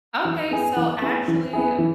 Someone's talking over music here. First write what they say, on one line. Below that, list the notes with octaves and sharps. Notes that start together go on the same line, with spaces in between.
Okay, so, actually,
E3
B3 E4 G#4
E3
B3 E4 G#4
E3
B3 E4 G#4
E3